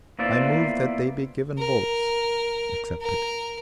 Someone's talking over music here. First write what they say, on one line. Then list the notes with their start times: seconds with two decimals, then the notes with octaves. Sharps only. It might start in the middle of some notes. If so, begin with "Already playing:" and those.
"I move that they be given votes." Accepted.
0.19 A#3 B3 E4 F4 C5 D5
1.58 A#4
3.01 A#4